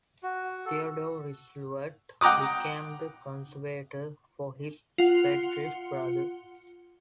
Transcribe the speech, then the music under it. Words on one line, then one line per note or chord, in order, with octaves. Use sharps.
Theodore Roosevelt became the conservator for his spendthrift brother.
F#4
A4
F#5 G5 A#5 D6 D#6
F4 F#5